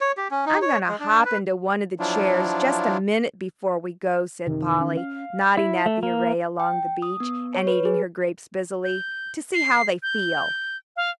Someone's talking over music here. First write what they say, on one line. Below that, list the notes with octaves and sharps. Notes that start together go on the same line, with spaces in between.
"I'm going to hop into one of the chairs just a minute before we go," said Polly, nodding at the array along the beach, and eating her grapes busily, "to see how they feel."
C#5
G4
C#4
D#4
C#5
G#3
D4
B4
F3 F#3 D4 E4 F4
F#2 C3 D#3
C#4
F5
E4
A3
A#3
G5
D#6
B3
C#5
B4
G#4
G6
C7
G6
F5